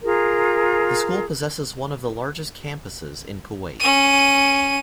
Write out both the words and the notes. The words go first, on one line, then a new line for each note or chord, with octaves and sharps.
The school possesses one of the largest campuses in Kuwait.
F4 G#4 A#4 A#5
C#4 D#7